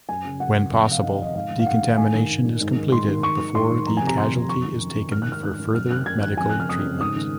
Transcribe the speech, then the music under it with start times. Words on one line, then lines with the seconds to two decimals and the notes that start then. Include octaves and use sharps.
When possible, decontamination is completed before the casualty is taken for further medical treatment.
0.09 F#2 G#5
0.25 C#3
0.40 F#2 F#5
0.56 C#3
0.72 F2
0.88 C3 F5
1.03 D#3 D#5
1.19 F2 D#5
1.34 G#2 F5
1.50 D#3
1.59 F5
1.66 G#2 F#5
1.82 D#3
1.97 G#2 G#5
2.14 D#3
2.29 G#2
2.45 D#3
2.61 G#2
2.76 D#3
2.92 G#2 C6
3.08 D#3
3.23 G#2 C#6
3.39 D#3
3.55 G#2 C6
3.70 D#3
3.86 F2 A#5
3.97 G#5
4.02 C3
4.07 A#5
4.18 D#3 C6
4.33 F2
4.49 F#2 C#6
4.65 D#3
4.81 F#2
4.96 D#3
5.11 G#2 F6
5.22 F#6
5.27 D#3 F6
5.43 G#2 F#6
5.59 D#3
5.74 F#2 F6
5.91 D#3 F#6
6.06 F#2 G#6
6.22 D#3 F#6
6.37 F2 G#5
6.49 C#3 F#6
6.60 F6
6.69 F2 D#6
6.85 C#3
7.00 G#2 D#6
7.16 D#3